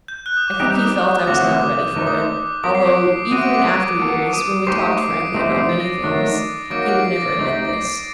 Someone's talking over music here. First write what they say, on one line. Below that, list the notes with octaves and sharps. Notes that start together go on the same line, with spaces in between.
I think he felt I was not ready for it, although even in after years, when we talked frankly about many things, he would never admit this.
G6
F#6
D#6
D6
G3 C4 D#4 G4 D#6
F#6
D#6
D#6
D3 F#3 A3 C4 F#4 D6
D#6
D#6
D#3 A3 D#4 A4 C5 D6
D#6
D#6
F#3 C4 G4 A#4 D#6
C7
D6 D7
A3 C4 F#4 C5 D#6 D#7
D6 D7
D6 D7
A#3 F#4 A4
D#6 D#7
A3 D#4 G4 C5 D6 D7
C7
D7
C7
A3 C4 D#4 G4 C5
C7
C7
A6
A#6
D#3 F#3 A3 D4 C7
F#3 A#3 D#4 F#4 D6 D7
D6 D7
C7
A#6
A6
A3 D#4 G4
A#6
C7